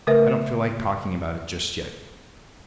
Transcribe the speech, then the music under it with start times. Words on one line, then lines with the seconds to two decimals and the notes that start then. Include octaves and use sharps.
I don't feel like talking about it just yet.
0.07 C#3 A3 A#4 B4 E5